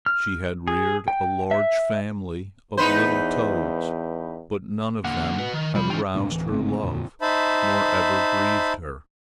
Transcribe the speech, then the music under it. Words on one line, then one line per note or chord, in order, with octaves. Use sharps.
She had reared a large family of little toads, but none of them had aroused her love, nor ever grieved her.
F6
G#4
G5
E5
E2 D#4 B4 C5
D3 A#3 F#5
F#4 B4
D#3
C3 F3 G3 D5 B5
E3 C#4 F4 G5
F2 A2 C3 D4
D1 E3
G1 C#3 A3 C4
F2 A#2 D3
D#4 C5 E5 A5 B5